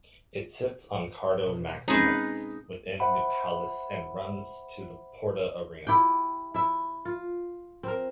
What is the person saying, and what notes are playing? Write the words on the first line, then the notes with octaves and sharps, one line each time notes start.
It sits on Cardo maximus within the palace and runs to the Porta Aenea.
B2
G#3 C4 C#4 D#4 G#4 B4
C5 E5 F#5 B5
E4 G4 G5
E4 E5
F4
C4 A#4